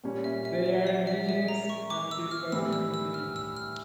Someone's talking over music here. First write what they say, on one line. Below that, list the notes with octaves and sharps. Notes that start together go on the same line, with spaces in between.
They are an indigenous and peace-loving community.
A#2 G3 C#4
E5
E5
E5
D5
E5
E5
A#5
C#6
D6
E6
F6
A2 E3 G3 E6
E6
E6
F6
E6
F6